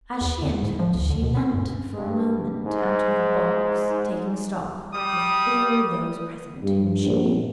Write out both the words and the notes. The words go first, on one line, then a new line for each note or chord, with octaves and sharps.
As she entered, she leant for a moment out of the box, taking stock of all those present whom she knew.
E2
D3
G#2
F3
D2
D3
B2
C#4
G2
G2
G#2
G3 D#6
G2
A#1